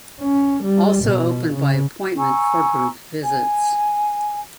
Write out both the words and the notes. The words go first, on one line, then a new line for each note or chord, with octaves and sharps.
Also open by appointment for group visits.
C#4
G3
B2
C#3
G#5 A#5 C#6 E6
G#5